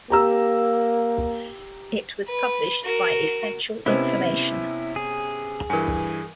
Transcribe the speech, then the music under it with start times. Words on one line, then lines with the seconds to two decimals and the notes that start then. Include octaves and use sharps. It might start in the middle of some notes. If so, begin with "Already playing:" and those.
It was published by Essential Information.
0.10 A#3 G4 A#5 E6
2.27 B4
2.83 F#4 A#4
3.86 C3 B3 C#4 E4 A#4 C5 D#5
4.96 G#4
5.70 G2 E3 A#4 G#5